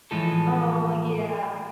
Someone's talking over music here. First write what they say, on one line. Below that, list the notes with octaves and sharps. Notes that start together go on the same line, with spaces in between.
Oh, yeah.
A2 E3 F3 G#3 A4